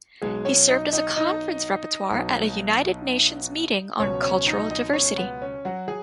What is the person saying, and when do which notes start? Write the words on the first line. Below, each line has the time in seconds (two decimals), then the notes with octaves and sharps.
He served as a conference rapporteur at a United Nations meeting on cultural diversity.
0.22 B1 B2 F#3 G#3 G#4
0.45 C#4 C#5
0.69 D#4 D#5
0.93 D#4 D#5
1.16 D#4 D#5
2.10 B1 B2 F#3
3.99 C#2 B2 F#3 C#4 C#5
4.23 C#4 C#5
4.46 D#4 D#5
4.71 D#4 D#5
4.93 C#4 C#5
5.18 B3
5.42 C#4
5.65 F#3 F#4
5.88 F#3 G#4